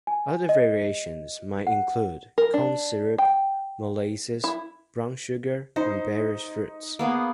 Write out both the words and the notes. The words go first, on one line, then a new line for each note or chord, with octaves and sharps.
Other variations may include corn syrup, molasses, brown sugar, and various fruits.
G#5
D#5
F#5
A#4
D4
G5
E4
D#4 C5
A#3 B3 G#4